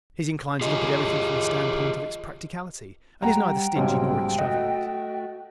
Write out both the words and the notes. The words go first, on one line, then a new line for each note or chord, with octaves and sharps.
He is inclined to look at everything from the standpoint of its practicality and is neither stingy nor extravagant.
F4 G4 G#4 D#5
G3 F#5 G5 A#5
B1 G#2 C#3 G3 G#3 C#4
A3 F#4 D#5